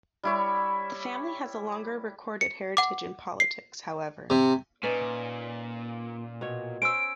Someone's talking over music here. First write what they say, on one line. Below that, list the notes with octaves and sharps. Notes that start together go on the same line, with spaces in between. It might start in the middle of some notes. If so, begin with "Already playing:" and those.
The family has a longer recorded heritage in politics, however.
G3 E4 C#5
C#7
F#5 D6
C7
C3
A#2 C#4 D#4 B4 D5
B2 C#5
C#4 C5 E6 D7